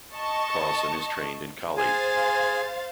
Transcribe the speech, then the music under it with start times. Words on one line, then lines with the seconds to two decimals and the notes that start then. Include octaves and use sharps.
Carlson is trained in Kali.
0.14 D#5 A5 C#6
1.77 G#4 C5 F5 G#5 A6